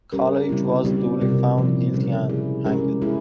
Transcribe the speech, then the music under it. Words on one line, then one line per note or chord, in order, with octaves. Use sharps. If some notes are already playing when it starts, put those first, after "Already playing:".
College was duly found guilty and hanged.
G3 C#4 G4 A#4
C#3 G3 C4 E4
G3 C4 G4
C3 G3 C4 F4 A#4
A#2 F3 C4 E4
C#3 G3 C#4 G4 A#4
G#3 E4 G#4
G#3 C#4 G4 A#4
G#3 E4 G#4